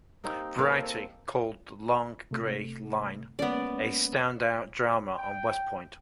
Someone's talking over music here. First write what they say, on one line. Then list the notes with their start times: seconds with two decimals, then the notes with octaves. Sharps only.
"Variety" called "The Long Gray Line" "..a standout drama on West Point".
0.24 A#3 C4 D#4 G4
0.59 A#3 C4 A4 F5
2.31 C3 A3
3.39 G#3 A#3 B3 C#4 D5
5.16 G5